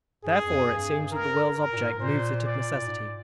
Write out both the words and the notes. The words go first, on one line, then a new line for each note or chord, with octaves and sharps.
Therefore it seems that the will's object moves it of necessity.
G2 G#4
F2
G2
A#4
A#4
A#2
G#2
A#2 C5
D5
A#2
G#2